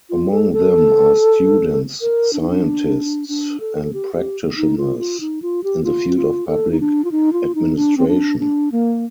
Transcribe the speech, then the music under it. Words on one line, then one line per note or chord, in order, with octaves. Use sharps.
Among them are students, scientists and practitioners in the field of public administration.
F4
A4
A4
A#4
D4
D#4
D4
D4
A4
G4
G4
D#4
F4
F4
D#4
F4
G4
F4
F4
A4
D#4
D4
F4
D#4
F4
D#4
D4
C4
D4
D4
A#3